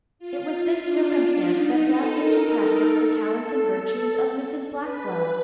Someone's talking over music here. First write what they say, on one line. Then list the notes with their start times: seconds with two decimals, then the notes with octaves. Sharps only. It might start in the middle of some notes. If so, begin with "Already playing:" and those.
It was this circumstance that brought into practice the talents and virtues of Mrs Blackwell.
0.19 F4
0.85 D4
1.51 D#4
1.85 A4
2.18 A#4
2.84 A4
3.49 A4
4.81 B4